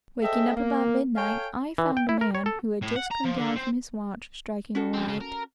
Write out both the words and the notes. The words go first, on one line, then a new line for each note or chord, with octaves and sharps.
Waking up about midnight, I found a man who had just come down from his watch, striking a light.
G#4 A4 C5 D#5 E5 G5
A#3
A4 C#5 F5 G5 G#5
E3
G5
E4
A#4
C#5
A4
A2
F#5
A#5
F3
D3
C4
C#4 F#4 A4
F2 C4
C#3
A#4